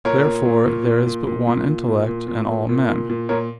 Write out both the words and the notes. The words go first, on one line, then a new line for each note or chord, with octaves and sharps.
Therefore there is but one intellect in all men.
A#2 A#4 C#5
A#2
A#2
A#2
A#2
A#2
A#2
A#2
A#2
A#2
A#2
A#2
A#2
A#2
A#2
A#2
A#2 A#4 C#5